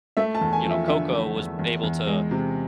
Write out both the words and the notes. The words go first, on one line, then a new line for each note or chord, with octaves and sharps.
you know, Koko was able to
A3 E5
A5
E2
G#5
F3
E5
D3 E5
A3
E2
E2
E2
G#3
C3